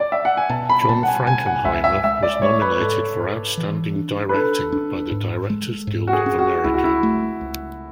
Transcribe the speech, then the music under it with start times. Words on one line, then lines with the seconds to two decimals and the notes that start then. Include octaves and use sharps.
John Frankenheimer was nominated for Outstanding Directing by the Directors Guild of America.
0.00 D5
0.12 E5
0.25 F#5
0.37 G#5
0.50 B2 A5
0.70 B5
0.89 B2 A5
1.03 F#5
1.08 G#5
1.27 B2 G#5
1.46 F#5
1.65 C#2 E5
1.84 E5
2.04 G#3 E5
2.23 D5
2.42 G#3 C#5
2.62 B4
2.80 G#2 A4
3.19 G#2
3.57 E3
3.96 D4
4.29 B4
4.34 D4 A4
4.72 D4
5.11 G#2
5.50 G#3
5.87 G#2
6.07 F#4
6.13 G#4
6.26 C#4
6.39 F#4
6.64 C#2 E4
6.74 F#4
6.84 E4
7.03 A3
7.41 C#2